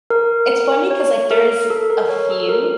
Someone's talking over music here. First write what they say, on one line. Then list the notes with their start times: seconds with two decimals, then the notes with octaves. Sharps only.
it's funny 'cause, like, there's a few,
0.10 A#4
0.91 C#5
1.31 A#4
1.70 A4
1.90 A#4
2.09 C#5
2.30 A4
2.49 A#4